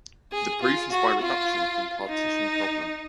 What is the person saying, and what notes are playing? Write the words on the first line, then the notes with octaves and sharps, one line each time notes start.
The proof is by reduction from partition problem.
G#4
F4
F#4
F4
D#4